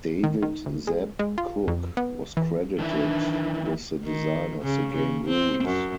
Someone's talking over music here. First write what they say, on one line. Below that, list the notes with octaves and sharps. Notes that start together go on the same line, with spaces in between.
David "Zeb" Cook was credited with the design of the game rules.
D#3
D#3
D2
G#3
G#3
F4
F2
B3
E3
D#3 E3 D4 E4
D#3
C#3
C#3
C4
F#2